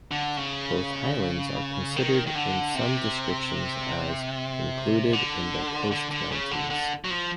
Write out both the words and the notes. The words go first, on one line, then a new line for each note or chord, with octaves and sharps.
Both highlands are considered in some descriptions as included in the Coast Mountains.
D3
C#3
D#3
D#3
D3
C3
D3
D3
D3
C#3
D3
D3
F#3
F3